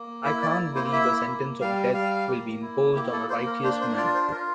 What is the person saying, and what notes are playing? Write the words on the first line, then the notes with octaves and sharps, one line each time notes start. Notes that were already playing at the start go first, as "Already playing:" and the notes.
I can't believe a sentence of death will be imposed on a righteous man.
Already playing: A#3
E4 E5
D5
A#3
C5
E4 E5
A#3
G3 F5
G3 F5
A#3
E4
A#3 G4
A4
A#3 C5
A#4
D4 C5
C5
F4 D5
C5
F4 A#4